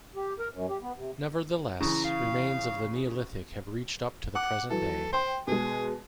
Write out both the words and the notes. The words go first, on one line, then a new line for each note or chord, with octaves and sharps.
Nevertheless, remains of the Neolithic have reached up to the present day.
G4
A#4
F#2
G4
B3
C3
C#3 E3 A#5
F5
F#5 D6
E3 F#3 A4
C5 G5 C6
B2 G#3 G#4